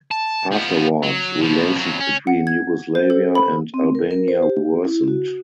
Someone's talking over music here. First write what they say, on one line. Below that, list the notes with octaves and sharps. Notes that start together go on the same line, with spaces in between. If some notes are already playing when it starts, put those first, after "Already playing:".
Afterward, relations between Yugoslavia and Albania worsened.
A5
F3 B3
F#3
B2 F3
F2 F#3
C#4
F#5
G#6
C5
A4
B5
C4
A#4
A#4
C5
G4
E4
F#4